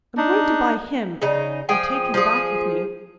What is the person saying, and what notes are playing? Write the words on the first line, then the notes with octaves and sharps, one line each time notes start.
I'm going to buy him and take him back with me.
D4 D#4
C#3 D#4
F3 G#4 G5 G#5
F3 G#4